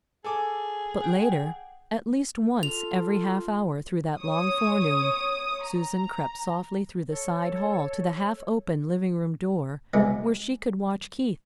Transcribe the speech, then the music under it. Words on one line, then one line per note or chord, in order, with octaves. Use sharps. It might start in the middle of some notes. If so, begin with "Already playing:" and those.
But later, at least once every half-hour through that long forenoon, Susan crept softly through the side hall to the half-open living-room door, where she could watch Keith.
G#4 A4 G#5 D6
F#5 G5
F4 A4 F7
C#5 D#6
A#5
A4 C#5
C#2 C3 G#3 B3